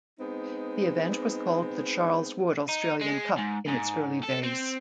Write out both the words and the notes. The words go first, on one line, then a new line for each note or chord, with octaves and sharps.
The event was called the Charles Wood Australian Cup in its early days.
G#3 B3 C4 D#4
D#4
G#3
G#2
G#2
A4
C4